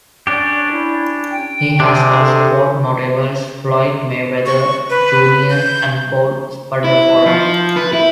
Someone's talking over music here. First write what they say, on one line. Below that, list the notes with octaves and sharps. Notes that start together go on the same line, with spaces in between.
He has also fought notables Floyd Mayweather Junior and Paul Spadafora.
C#4 D4 G4 D5
E4
G5
C3 D4 G#4
A4
C#6
B4
G6
E4
F3
B4
E4